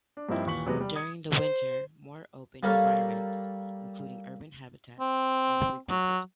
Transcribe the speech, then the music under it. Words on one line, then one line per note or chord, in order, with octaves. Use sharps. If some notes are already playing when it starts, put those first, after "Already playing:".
During the winter more open environments, including urban habitats, are frequented.
D4
G2 F3 A#3 C4 D#4 E4
D#2 A#2 E3 C#6 B6 F#7
E2 C3 F#3 G#3 B3
G3
D#6 G#6 C#7
C5
G3 A#3 A4 C#5 F5 A#5
C4
F#3